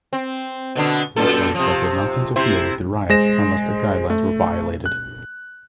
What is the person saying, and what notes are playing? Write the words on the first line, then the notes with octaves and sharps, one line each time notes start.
Police were instructed not to interfere with the riots unless the guidelines were violated.
C4
B2 D3 D4
F#2 A#2 A4
C3 F3
C3 E4 C5
G#3 C5 A#6 E7
A3
F#6